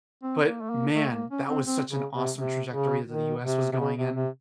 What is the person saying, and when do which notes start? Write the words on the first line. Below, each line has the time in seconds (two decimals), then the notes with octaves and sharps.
but man, that was such an awesome trajectory that the US was going in,
0.23 C4
0.47 A#3
0.61 A3
0.70 A#3
0.95 A3
1.13 A#3
1.30 C#4
1.48 C4
1.66 C4
1.90 C#3
2.14 C3
2.37 C3
2.73 C#3
3.09 D#3
3.44 C3
3.73 C3
3.80 C#3
3.98 C3
4.16 C3